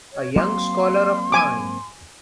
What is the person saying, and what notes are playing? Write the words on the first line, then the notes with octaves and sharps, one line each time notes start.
A young scholar of mine.
C#5
F#3 A#3 C4 C6
G#5 D6